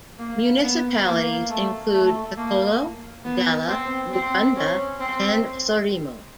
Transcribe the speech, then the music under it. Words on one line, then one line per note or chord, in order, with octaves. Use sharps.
Municipalities include Cacolo, Dala, Muconda, and Saurimo.
A#3
B3
A#3
A3
A3
A#3
B3
C4
C4
C#4
C4